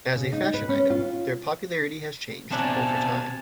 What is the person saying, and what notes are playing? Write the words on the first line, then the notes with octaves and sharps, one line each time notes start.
As a fashion item, their popularity has changed over time.
C#3
D#4
B4
C#4
F4
B2 A3 A#3 C4 D4 G#5 A5